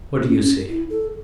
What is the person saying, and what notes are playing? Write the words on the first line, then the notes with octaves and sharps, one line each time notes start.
What do you say?
C#4
C#4
E4
A4